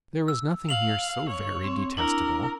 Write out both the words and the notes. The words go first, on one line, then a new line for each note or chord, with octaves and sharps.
There was nothing here so very detestable.
E6
F5 F7 F#7
C#5
C4
D4 E4 A#4